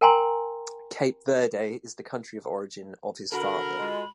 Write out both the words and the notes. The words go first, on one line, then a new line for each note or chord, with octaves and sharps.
Cape Verde is the country of origin of his father.
A#4 G5 G#5 A#5 C6
D3 F#4 A4 A#4 B5
G#3 F4